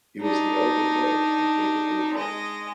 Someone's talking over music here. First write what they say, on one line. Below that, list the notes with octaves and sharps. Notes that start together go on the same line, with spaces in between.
He was the elder brother of Jacob Ulfeldt.
D4 D#4
G#3 D#5